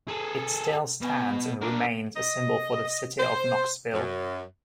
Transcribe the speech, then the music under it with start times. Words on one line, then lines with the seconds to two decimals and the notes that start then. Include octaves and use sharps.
It still stands and remains a symbol for the city of Knoxville.
0.08 G#4 A4
1.02 B2
1.62 D4 A#4
2.17 D#5
3.19 C5
3.93 F#2